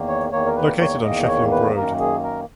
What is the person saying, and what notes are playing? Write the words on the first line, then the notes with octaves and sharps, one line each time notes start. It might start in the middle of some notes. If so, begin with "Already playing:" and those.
Located on Sheffield Road.
Already playing: E2 D#3 A#3
C#5
E2 D#3 A#3 C#5
A#4
B4
C#5
E2 D#3 A#3 D#5
D#5
C#5
B4
F#2 D#3 A#3 A#4
G#4
A#4